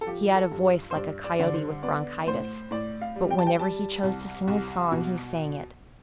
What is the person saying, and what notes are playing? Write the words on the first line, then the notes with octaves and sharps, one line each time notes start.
He had a voice like a coyote with bronchitis, but whenever he chose to sing his song he sang it.
A4
F3 G4
A4
G2
C5
G2 D5
D5
D3 D5
C5
B3 D5
A2 C5
A2 D5
F5
G3
G5
A5
G5
G3 A5
C2
C2
B2